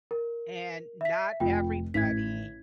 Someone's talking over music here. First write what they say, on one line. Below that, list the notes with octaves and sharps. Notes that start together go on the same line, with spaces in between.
and not everybody
A#4
E5 B6
F1 F4 G5
A1 G#6 B6